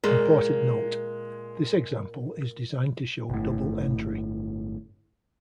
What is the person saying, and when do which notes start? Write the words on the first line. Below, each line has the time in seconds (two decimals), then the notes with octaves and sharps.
Important note: this example is designed to show double entry.
0.04 A#2 G#3
3.30 G1 A2